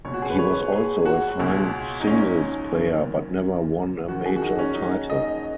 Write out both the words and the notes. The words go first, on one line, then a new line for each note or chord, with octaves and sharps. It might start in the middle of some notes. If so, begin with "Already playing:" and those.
He was also a fine singles player but never won a Major title.
C#2 B2 C#5
F#4
G#4
B4
C#5
G#4
F#4
C#2 B2
D#4
C#4
F#2 D#3
F#2 D#3 F#4
G#4
F#4
D#4
C#4
D#4
D#5